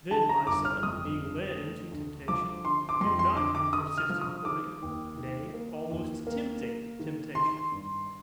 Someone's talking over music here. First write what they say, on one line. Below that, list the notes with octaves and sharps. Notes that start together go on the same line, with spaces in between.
Then, my son, being led into temptation, do not you persist in courting, nay, almost tempting temptation.
D3 A5
A#5
G1 D6
F6
F2 D#6
D3
A3
D2
F3 D6
D3 C6
D6
F2 C6
C6
D3 D6
D6
D3 D#6
F6
F3
D#6
D#3 D6
D#2
D#3
A#3
D#2
A#3
A#3
D#3
D#3 C6
G2